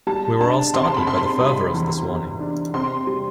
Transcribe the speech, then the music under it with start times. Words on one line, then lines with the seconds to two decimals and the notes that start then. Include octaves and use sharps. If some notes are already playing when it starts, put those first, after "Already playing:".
We were all startled by the fervour of this warning.
0.07 G3 A5
0.40 D4 A5
0.74 C3 C6
0.87 A5
0.97 B5
1.07 C3 C6
1.40 G3 B5
1.74 E2
2.07 E2
2.40 D4
2.74 C3 C6
3.07 G3